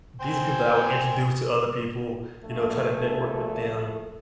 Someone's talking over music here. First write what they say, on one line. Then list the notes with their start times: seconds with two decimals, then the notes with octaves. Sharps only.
these are people that I would introduce to other people, you know, try to network with them.
0.21 C5 G5 G#5
2.43 A#1 A3